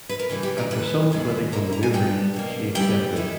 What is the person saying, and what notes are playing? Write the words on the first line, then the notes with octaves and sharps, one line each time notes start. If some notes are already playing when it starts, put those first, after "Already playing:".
After some political manoeuvring, she accepted.
B4
A#4
C#3 E3 G3 C#4 E4
G4
A#4
D#2 C#3 E3 B4
D#2 C#3 G#3 B3
A#2 A#3 E4 A#5
A#5
G#5
G2 G3 B3 G5
E2 B2 A#3
E2 C#3 G3 E4 G5
D#3 G#3 C#4 E4